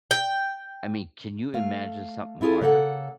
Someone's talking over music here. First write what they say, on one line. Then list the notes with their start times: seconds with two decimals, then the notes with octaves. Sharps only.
I mean, can you imagine something harder?
0.11 G5
1.54 A3 F5
2.41 C4 E4 F4 G#4 A4
2.61 C#3 A#3 A4 F#5